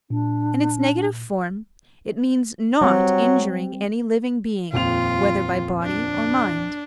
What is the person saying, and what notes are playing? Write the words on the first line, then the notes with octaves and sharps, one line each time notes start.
In its negative form it means not injuring any living being whether by body or mind.
A#2 D4
F#3 G3 C4
D#1 F2 F4 F7
D4